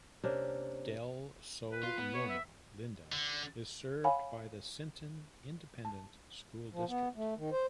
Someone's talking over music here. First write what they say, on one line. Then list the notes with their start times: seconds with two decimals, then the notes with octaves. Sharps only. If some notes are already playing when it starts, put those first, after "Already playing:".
Del Sol-Loma Linda is served by the Sinton Independent School District.
0.24 C3 A#3 C#4 D4
1.72 B4
1.83 F4
1.98 B3
2.14 C#5
2.30 E5
3.12 D3
4.04 C#5 F5 F#5 G#5 B5
5.85 A5
6.73 F3
6.88 B3
7.16 A3
7.37 D#3
7.52 C5